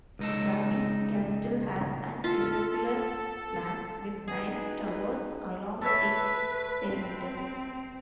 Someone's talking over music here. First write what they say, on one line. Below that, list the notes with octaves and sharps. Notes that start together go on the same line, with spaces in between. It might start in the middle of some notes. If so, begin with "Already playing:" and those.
Raby Castle has an irregular plan, with nine towers along its perimeter.
C#2 D#4 A4
F4 A4
D#4 F#4 G#4 B4
A4 B4 C#5 E5
C4